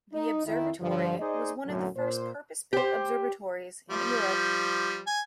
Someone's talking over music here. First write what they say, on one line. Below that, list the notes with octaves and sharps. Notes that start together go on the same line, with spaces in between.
The observatory was one of the first purpose-built observatories in Europe.
D#4
F2 D#3 E4
G2 D3 F3
D#4 G#4 C5 D5 D#5
B1 F#2 A2 D3 F#3
A#2 C5
G4 C5
F3 G3
G#5